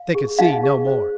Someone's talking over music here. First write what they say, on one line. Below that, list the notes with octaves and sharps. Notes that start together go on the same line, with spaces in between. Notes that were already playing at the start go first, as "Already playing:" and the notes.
They could see no more.
Already playing: F5
G#4
D#4 F5
G#4
C5